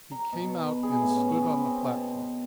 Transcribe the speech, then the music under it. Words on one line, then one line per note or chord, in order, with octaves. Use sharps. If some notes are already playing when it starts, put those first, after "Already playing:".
He came out and stood on the platform...
A#5
B2
B4
G#4
A2
C#4
B3
C4
B2